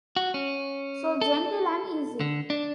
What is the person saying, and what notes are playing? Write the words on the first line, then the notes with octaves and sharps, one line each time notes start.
So genteel and easy!
F#4
C#4
A4
D3
D4